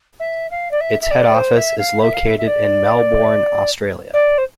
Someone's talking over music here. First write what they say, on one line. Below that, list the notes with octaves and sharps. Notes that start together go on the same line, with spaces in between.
Its head office is located in Melbourne, Australia.
E5
F5
D5
E5
E5
D5
C5
E5
F5
E5
F5
E5
E5
D5
D5
C5